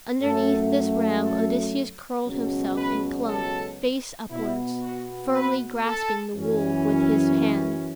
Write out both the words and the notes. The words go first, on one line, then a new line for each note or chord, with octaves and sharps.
Underneath this ram Odysseus curled himself, and clung, face upwards, firmly grasping the wool with his hands.
F#2 F#3 A3 A4
A4
C#2 B2 F#3 C#4
B4
A4
B2 B3 E4
F#4
B4
A4
F#2 E3 C#4
C#5
B4